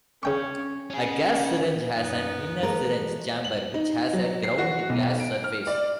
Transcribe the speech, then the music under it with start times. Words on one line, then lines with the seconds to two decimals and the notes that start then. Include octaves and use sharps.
A gas syringe has an inner syringe chamber which has a ground glass surface.
0.23 C#3 C#4 G5 C#6
0.90 C#4 G#4
1.96 F#2 B3 D#4
2.63 E3 G#3 A3 A#4
3.44 F#7
3.74 D#4
4.13 F#3
4.44 C7
4.58 F#4
4.90 B1
5.20 D7
5.44 F6
5.67 D5